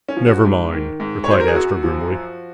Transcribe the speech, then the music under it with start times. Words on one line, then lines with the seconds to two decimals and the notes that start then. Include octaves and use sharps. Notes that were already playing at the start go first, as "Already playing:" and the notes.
"Never mind," replied Astro grimly.
0.09 C#4
0.17 F3
0.26 F#4
0.45 G#2
0.72 D#3
1.00 G#2
1.24 C#5
1.28 F#3 C5
1.40 A#4
1.48 G#4
1.55 F#2 F#4
1.83 F3
2.11 F3